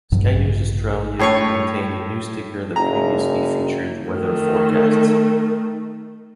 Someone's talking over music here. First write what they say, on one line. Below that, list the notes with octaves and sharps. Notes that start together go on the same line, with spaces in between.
Sky News Australia maintained a news ticker that previously featured weather forecasts.
A1 G2 C3 F#3
A2 C#5 G5 A5 C#6 C7
F#1 A#5
D#3 A3